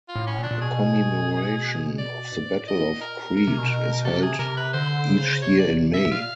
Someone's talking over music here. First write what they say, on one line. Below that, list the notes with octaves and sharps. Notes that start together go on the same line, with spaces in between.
A commemoration of the Battle of Crete is held each year in May.
F4
A2
C#4
A#2
D4
A#2
B2 G#4
D5
G2
G#2
A2
A#2 D#5
A#4
B2 A#4
C3
B2
C3 A4
G#4
C3 A#4
B4
D3 C5
C#3
C3 C#5
D5
E5
A#2 F5